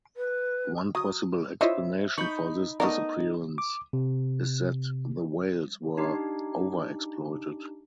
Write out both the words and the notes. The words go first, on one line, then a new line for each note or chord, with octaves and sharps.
One possible explanation for this disappearance is that the whales were overexploited.
B4
F#3 D#6
D4 E4 F4 C5 C#5 D#5 E5
D#4 B5 C#6 G6
A3 B3 D#4 A#4 D5 D#5
D6
C3
D4 D#4 G4